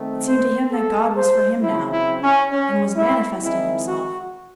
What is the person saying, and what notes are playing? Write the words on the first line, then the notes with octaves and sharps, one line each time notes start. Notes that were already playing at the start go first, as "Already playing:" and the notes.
It seemed to him that God was for him now, and was manifesting Himself.
Already playing: D#3 A3 C4
C5
A4
C5
C#3 F#3 C4 E4
E4
C#4
C#4
E4
D#3 G#3 C4 E4
F#4